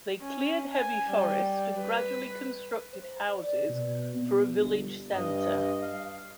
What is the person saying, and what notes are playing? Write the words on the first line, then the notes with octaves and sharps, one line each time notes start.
They cleared heavy forest and gradually constructed houses for a village center.
C#4
G#5
G3
B4
C5
D5
B2
B3
G1
G2 D#5
F5